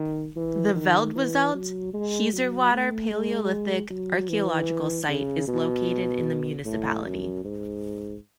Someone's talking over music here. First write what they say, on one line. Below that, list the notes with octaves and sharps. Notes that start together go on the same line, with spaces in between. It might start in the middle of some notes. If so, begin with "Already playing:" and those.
The Veldwezelt-Hezerwater Palaeolithic archaeological site is located in the municipality.
Already playing: D#3
E3
D#3
E3
F#3
G#3
F#3
A3
G#3
F#3
E3
C#3
B2
A2
F#2
G#2